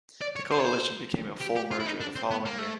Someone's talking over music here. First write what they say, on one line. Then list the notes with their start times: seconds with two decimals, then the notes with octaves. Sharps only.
The coalition became a full merger the following year.
0.22 D5
0.36 C#5
0.52 C5
0.59 C#5
0.66 C5
1.41 G4
1.56 G4
1.71 F4
1.80 E4
1.86 D#4
2.01 D4
2.16 C4
2.31 B3
2.46 A#3
2.59 A3